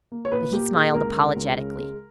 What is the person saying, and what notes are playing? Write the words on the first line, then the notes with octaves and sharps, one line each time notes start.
But he smiled apologetically.
A#3
C#5
A#2 B4
A#3 G4
A#2 G#4
C#2 A#4
C#3
C#2
C#3
G#3